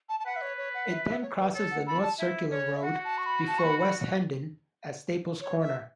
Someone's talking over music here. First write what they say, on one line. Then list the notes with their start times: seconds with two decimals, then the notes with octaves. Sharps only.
It then crosses the North Circular Road before West Hendon at Staples Corner.
0.09 A5
0.20 A5
0.26 B4 F#5
0.36 E5
0.42 C#5
0.58 C#5
0.74 F#5
0.90 E5
1.06 E5
1.23 C#5
1.38 B4
1.54 A4 C#5
1.71 F#5
1.87 A4 B5
2.03 A5
2.18 E4 E5
2.51 C#4 C#5
2.76 E5
2.83 F#4 F#5
3.05 A5
3.18 C#6
3.26 B5
3.48 A5
3.59 C#6
3.64 B5
3.80 B5
5.41 C#5
5.62 E5